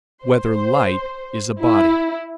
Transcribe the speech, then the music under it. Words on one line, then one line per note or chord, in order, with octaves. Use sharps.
Whether Light Is a Body?
C5
E4